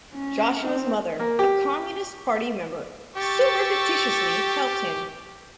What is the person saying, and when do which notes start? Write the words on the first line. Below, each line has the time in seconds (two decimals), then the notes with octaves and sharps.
Joshua's mother, a Communist party member, surreptitiously helped him.
0.14 C#4
0.64 C4
1.20 A#3
1.39 G4
3.17 G4 C#6 E6 A6